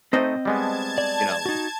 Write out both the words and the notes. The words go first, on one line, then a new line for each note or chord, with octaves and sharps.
you know,
A3 C4 D#4 C5 D#5
G3 G#3 B3 A5 G#6
D5
D#4 F#4